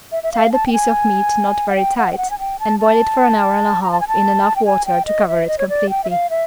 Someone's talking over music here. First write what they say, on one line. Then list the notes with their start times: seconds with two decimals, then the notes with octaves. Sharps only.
Tie the piece of meat not very tight and boil it for an hour and a half in enough water to cover it completely.
0.12 E5
0.23 E5
0.33 F5
0.52 A5
0.67 G5
0.73 G#5
1.69 F#5
1.76 G5
1.97 F#5
2.13 G5
2.17 F#5
2.30 G#5
2.39 G5
2.60 A5
2.79 A5
3.82 A#5
3.91 A5
4.01 G#5
4.08 A5
4.56 G5
4.65 G#5
4.86 G5
5.06 D#5
5.28 E5
5.48 D#5
5.58 C#5
5.69 D5
5.90 G5
6.04 E5
6.10 F5
6.30 E5